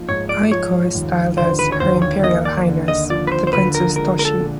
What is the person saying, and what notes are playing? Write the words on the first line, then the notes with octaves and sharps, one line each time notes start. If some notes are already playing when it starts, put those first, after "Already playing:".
Aiko is styled as "Her Imperial Highness" The Princess Toshi.
Already playing: F3 A#3 D#4
G#2 C#5
D5
F3 C#5
D#2
D3 C5
B4
C#5
D#2 C5
C#5
A#3 D#5
D5
D3
D#5
F3 D5
B4
C5
C5
D3 B4
A#4
G#3 A#4
A#4
A4
A#2